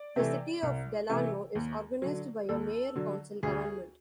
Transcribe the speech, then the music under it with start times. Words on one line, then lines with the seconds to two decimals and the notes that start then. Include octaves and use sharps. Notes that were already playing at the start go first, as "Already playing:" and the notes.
The city of Delano is organized by a Mayor-Council government.
Already playing: D5
0.16 C3 E3 A3
0.63 C2
1.09 C3 E3 A3
1.55 D#2
2.02 D3 F#3
2.49 D#2 A4
2.96 D3 F#3
3.43 D2 G#4